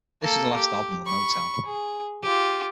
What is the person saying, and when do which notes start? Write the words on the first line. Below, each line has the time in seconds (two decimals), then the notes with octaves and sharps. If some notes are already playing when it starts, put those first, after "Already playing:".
This was the last album on Motown.
0.22 A#3 A4
0.55 G4
1.06 B5 C#6
1.65 G#4
2.23 F4 G4